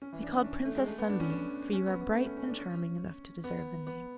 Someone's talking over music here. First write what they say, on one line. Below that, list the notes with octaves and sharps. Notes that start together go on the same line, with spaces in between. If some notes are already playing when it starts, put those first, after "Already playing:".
Be called Princess Sunbeam, for you are bright and charming enough to deserve the name.'
C#4
E3
D4
C#4
D4
A3
G#3
A3
B3
D4
C#4
D4
C#4
B3
B3
A3
C#4
C#4
D4
C#4
B3
B3